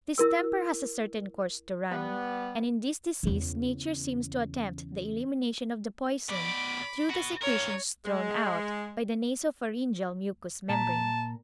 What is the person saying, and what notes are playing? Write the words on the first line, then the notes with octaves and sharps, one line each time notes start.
Distemper has a certain course to run, and in this disease Nature seems to attempt the elimination of the poison through the secretions thrown out by the naso-pharyngeal mucous membrane.
E4 A#4 E6
G3 B3
E2 C#3
B2 D5 B5 D6
F#4 B4
G2 A#4 C#5
G#3
A#2 A5 A#5